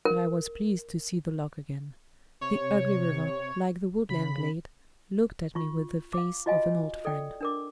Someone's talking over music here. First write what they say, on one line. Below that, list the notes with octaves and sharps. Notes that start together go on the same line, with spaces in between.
But I was pleased to see The Loke again. The ugly river, like the woodland glade, looked at me with the face of an old friend.
A#4
C3 C#5
C#3 B5
F4 C#6
F5 D6
F4 F#4 D#5 F5 G#5
A4 D5 G5
D4 A#4 D6